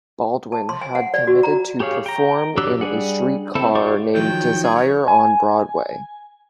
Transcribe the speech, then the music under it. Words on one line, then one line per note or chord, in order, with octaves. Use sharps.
Baldwin had committed to perform in "A Streetcar Named Desire" on Broadway.
A5
C6
G#5
F#5
D5
F#4
A#5
G4 G#4 C#5 F5
G5 A#5
F#3 D4 G4 E6 F#6
G3 D4 G#4 F#5
C4 E4 A4
F4 G4 C5 D5 C#6
D#3 F3 F#3 G5
G#4
C#5
G#5